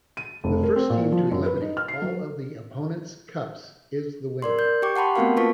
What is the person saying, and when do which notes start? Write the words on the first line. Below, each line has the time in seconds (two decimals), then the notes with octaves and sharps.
The first team to eliminate all of the opponent's cups is the winner.
0.17 D#7
0.44 F1
0.63 A#4
0.76 C4
0.90 A#2
1.12 F3
1.31 F#2
1.46 B4
1.61 D#4
1.77 F6
1.88 C7
2.02 F#3
4.42 A#4 D5 C6
4.59 G6
4.82 G4 G5 C#6 D6
4.96 F#5 G5 A5 B5 C6
5.16 A3 B3 C4 F#4 A#4 F5
5.37 A#3 F4 B4 A5 C#6 B6